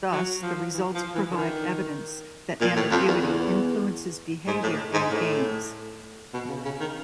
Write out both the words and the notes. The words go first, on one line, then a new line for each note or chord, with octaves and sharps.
Thus, the results provide evidence that ambiguity influences behaviour in the games.
F#3
F3
E3
F3
E3
D3
D#3
A#2
A2
F2
E2
E2
G#2
A2
G#2
A2
B2
C#3
C#3
D#3